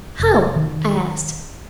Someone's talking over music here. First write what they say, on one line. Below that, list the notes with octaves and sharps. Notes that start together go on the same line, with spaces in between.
"How?" I asked.
F1
D#3